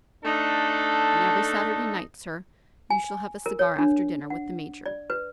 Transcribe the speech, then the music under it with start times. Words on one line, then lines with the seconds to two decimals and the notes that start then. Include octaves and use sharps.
And every Saturday night, sir, you shall have a cigar after dinner, with the Major.
0.24 A3 D4 D#4 A4
2.90 G#5
3.46 A#4
3.59 C#5
3.79 D4
4.30 F#5
4.86 D5
5.10 B4